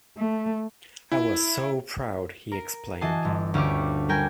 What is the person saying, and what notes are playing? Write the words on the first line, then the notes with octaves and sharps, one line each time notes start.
I was so proud, he explained.
A3
E4
A#4
E3 F#4 D#5 G#5 A5 C7
G1
D2 C#4 G4 F5 C#6 D6
G3 A#4 G5 G#5